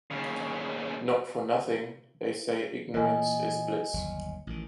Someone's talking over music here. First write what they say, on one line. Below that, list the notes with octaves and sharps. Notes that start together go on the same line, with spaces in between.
Not for nothing they say ignorance is bliss.
D#2 C#3
A#2 E3 A#3 D#5 G#5
G1 D#2 F#3
A1 D#3